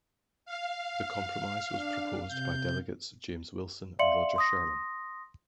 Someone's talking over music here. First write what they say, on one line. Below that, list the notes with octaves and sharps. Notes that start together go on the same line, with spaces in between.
The compromise was proposed by delegates James Wilson and Roger Sherman.
F5
D4
C3 G6
D5 E5 F5 C6 C#7 F#7
C6 D#6 A#6